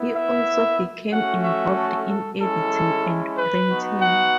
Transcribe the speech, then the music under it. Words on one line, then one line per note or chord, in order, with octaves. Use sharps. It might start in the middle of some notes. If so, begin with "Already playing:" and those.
He also became involved in editing and printing.
Already playing: B3 E4
E5
A3 C#4 F#4 F#5
E5
A4
A4
G#3 C#4 E4 A4
B4
B3 D#4 F#4
F#5